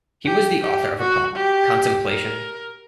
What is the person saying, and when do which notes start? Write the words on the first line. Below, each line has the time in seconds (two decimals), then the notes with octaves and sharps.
He was the author of a poem, "Contemplation".
0.25 G4
0.62 G4
0.99 F#4
1.35 G4
2.08 A#4